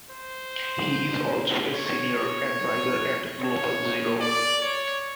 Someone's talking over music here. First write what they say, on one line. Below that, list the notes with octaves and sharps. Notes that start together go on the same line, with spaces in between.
He is also a senior advisor at Global Zero.
C5
C#5
C#5
D5
C#5